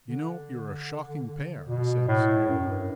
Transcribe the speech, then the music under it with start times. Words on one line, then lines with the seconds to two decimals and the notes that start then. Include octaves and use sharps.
"You know, you're a shocking pair!" I said severely.
0.07 D3
1.69 B2
2.08 A2
2.48 F#2
2.68 G2